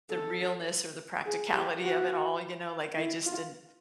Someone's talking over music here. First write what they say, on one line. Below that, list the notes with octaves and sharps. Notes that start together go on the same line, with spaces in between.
the realness or the practicality of it all, you know, like, I just didn't
A4
G#4
G4
F#4
E4
F4